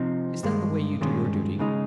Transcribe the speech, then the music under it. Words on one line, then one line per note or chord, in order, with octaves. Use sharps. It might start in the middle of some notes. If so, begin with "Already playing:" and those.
Is that the way you do your duty?'
Already playing: C3 F3 C4 D#4
G2 D#3 G#3
G2 D#3 G#3 C#4
C#3 G#3 D#4